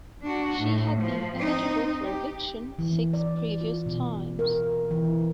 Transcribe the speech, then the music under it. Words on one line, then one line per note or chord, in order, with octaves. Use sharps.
She had been eligible for eviction six previous times.
D4 F#4
A2
F3
C4 D#4
G4
E3
D5
F4
B2
A#4
E3